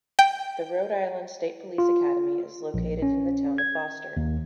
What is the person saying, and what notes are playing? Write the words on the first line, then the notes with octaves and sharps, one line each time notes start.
The Rhode Island State Police Academy is located in the town of Foster.
G5
F4
A#1
C#4
G#6
D#2